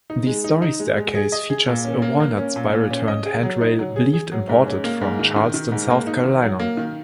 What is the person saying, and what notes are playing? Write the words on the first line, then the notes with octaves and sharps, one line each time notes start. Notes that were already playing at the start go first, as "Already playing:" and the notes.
The -story staircase features a walnut, spiral-turned handrail believed imported from Charleston, South Carolina.
D#4
G#3
D#4
D#4
G#3
G#3
G#4
D#5
G#4
A#2
C#4
A#3
A#3
C#4
A#2
A#2
C#4
D#5
G#4
F#3
D#4
F#3
G#4
G#4
F#3
G#2
C#4
A#3
G#2
D#3
D#3
D#3
G#2
A#3
D#4
D#3
F#3
A#3
D#3